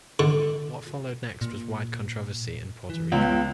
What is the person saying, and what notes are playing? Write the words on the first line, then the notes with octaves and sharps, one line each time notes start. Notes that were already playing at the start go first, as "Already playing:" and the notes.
What followed next was wide controversy in Puerto Rico.
D3
A#2
E3
C#2 B3